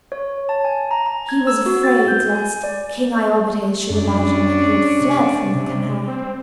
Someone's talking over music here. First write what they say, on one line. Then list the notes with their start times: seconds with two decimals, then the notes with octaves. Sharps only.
He was afraid lest King Iobates should imagine that he had fled from the Chimaera.
0.12 C#5
0.49 A5
0.65 G#5
0.91 A#5
1.06 A#5
1.29 G#6
1.47 E6
1.66 F#4
1.83 A6
2.08 G6
2.34 G#5
2.64 D5
3.90 F#2 C#4 D4
5.01 C3
5.55 C3
6.08 C4